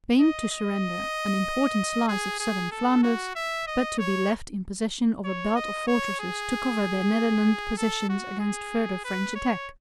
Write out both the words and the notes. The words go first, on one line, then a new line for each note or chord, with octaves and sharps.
Spain to surrender an important slice of southern Flanders, but to be left in possession of a belt of fortresses to cover their Netherland possessions against further French attack.
D#5
D#5
G#4
G#4
A4
F#4
E5
D#5
C#5
C#5
D#5
C#5
G#4
A4
F#4
G#4
B4
C#5